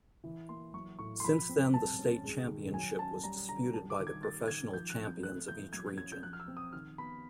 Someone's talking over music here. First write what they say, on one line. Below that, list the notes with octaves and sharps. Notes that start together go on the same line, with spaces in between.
Since then the state championship was disputed by the professional champions of each region.
E3
A#3 C6
F#3 C#6
A2 C#6
C6
F3 B5
C4
G3 A5
C#4
G#3
D#3
F#3 G#5
C#4 A5
G3 A#5
D3 A#5
G3 A5
D6
D#3
G#6
G3 A6
D#3 G#6
F3 G6
F#6
C4
G6
A3 F#6
E3 G6
F#3 G#6
C#4 G#6
G6
F3 F#6
F6
E6
C4
D#6
D#3 F6
B3 B5